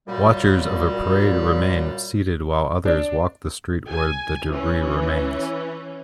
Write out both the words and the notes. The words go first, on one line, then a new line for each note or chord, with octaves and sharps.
Watchers of a parade remain seated while others walk the street where the debris remains.
F#2 A#2 G3
D4
G#5
E3 C#4